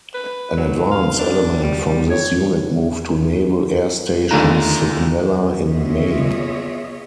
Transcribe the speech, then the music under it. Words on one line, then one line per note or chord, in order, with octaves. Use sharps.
An advance element from this unit moved to Naval Air Station Sigonella in May.
B4
F#3
F5
D4
G3
G3
C#5
D#2 D3 A3 D#4 F4 A#5
B3 F4 G#4 C#5 D#5 E5